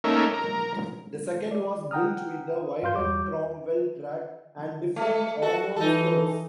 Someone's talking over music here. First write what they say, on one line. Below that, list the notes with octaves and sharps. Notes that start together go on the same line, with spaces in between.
The second was built with a widened Cromwell track and different armoured skirts.
A3 A#3 C#4 D#4 A#4 E5
A#4
D5
F#5 G5 A#5 D#6 F6
G2 F5 C6 G6
E2 G3 F#4 C#5 D6 G6
A3
F#4 A4
E3 D#4 A4